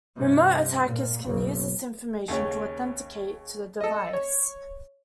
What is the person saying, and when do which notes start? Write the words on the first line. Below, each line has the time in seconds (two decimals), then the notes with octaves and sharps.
Remote attackers can use this information to authenticate to the device.
0.16 G2 C3
0.85 A#2
1.24 F#1 B1
2.28 D#2 C#3 C#4
3.81 A4 D#5
4.13 C#5